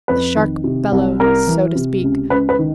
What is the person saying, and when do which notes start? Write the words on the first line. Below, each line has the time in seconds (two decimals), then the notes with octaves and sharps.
The shark bellowed, so to speak.
0.08 F2 B4
0.36 D#3
0.64 C3
0.92 C2
1.20 C2 A#4
1.47 E3
1.75 C3
2.02 C#2
2.30 C#2 B4
2.49 B4
2.59 D#3